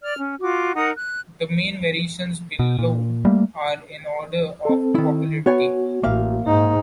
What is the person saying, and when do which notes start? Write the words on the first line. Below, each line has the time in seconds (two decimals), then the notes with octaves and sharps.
The main variations below are in order of popularity.
0.02 D5 F6
0.18 C#4
0.41 F4 F#4 D6
0.75 D#4 A#4 F#5 D#6
0.97 F#6
2.59 B2
2.79 A#2
3.25 G3 A3 A#3
4.65 C4 A4
4.95 D#3 E4
5.46 B3 F#4 C#5 G#5
6.03 A1 A#3 E5 F5
6.47 G#2 D#4